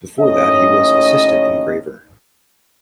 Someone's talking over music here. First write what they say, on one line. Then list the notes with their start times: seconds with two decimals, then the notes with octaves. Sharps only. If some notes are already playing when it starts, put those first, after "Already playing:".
Before that, he was Assistant Engraver.
0.20 D#2 A2 C#4 C#5 D#5